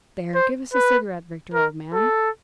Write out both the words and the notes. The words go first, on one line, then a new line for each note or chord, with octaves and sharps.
There, give us a cigarette, Victor, old man.
C5
B4
A#4
A4